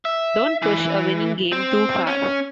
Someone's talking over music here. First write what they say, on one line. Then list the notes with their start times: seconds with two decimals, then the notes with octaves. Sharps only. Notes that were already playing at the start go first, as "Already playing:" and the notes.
Don't push a winning game too far.
0.05 E5
0.62 E3
1.52 C4
2.07 C#4